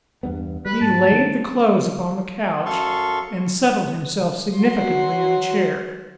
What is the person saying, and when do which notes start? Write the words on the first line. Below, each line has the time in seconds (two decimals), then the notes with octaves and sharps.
He laid the clothes upon the couch--and settled himself significantly in a chair.
0.23 E2 G2 B3
0.65 G3 B4
0.81 G#2 A5
1.12 D#3 D4
2.66 F#2 A4 F5 C6 C#6
4.57 F#3 F#4 C6